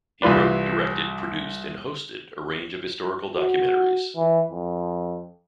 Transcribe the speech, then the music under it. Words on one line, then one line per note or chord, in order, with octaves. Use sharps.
He wrote, directed, produced and hosted a range of historical documentaries.
C2 E3 F4 B4 D5
F#4
E3
F2